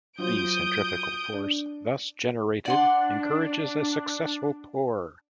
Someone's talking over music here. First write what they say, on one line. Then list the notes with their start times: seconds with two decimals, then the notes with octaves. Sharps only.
The centrifugal force thus generated encourages a successful pour.
0.18 F#3 F4 C5 D#6 G6 D7
1.33 D4
2.66 D4 D5 F#5 C6